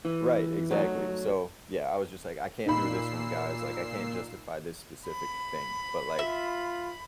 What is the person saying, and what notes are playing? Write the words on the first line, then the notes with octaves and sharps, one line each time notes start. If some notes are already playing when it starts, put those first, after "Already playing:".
Right, exactly. So, yeah, I was just like, "I can't do this one, guys. Like, I can't justify this specific thing," but, like,
E3
F#3 A3 D#4
A#2 D#4 B5 E6 C7
B5
F4 E5